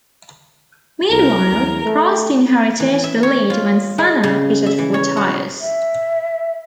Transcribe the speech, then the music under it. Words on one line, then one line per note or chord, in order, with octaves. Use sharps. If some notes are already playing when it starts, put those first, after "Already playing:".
Meanwhile, Prost inherited the lead when Senna pitted for tyres.
C2 A#4
E2
A3
E3
E5
C#5
F4
G#3
C#3
E5
E3
C#5
F#4
E5